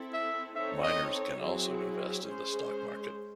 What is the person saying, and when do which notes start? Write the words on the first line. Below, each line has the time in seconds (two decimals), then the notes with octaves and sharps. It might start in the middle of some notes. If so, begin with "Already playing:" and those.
Minors can also invest in the stock market.
Already playing: C4 E4 A4
0.14 E5
0.55 C4 D#4 A4 C#5 E5
0.83 D#5
1.40 F#3 C4 E4 G#4
2.25 G#3 C#4 G#4 C5